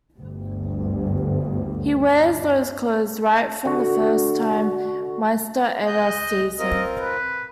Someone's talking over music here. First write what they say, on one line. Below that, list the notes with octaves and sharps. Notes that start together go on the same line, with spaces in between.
He wears those clothes right from the first time Meister Eder sees him.
G1 D2 G2
D3 F#4
D#5 F#6 G6
C4 F4 A#4 D#5
B4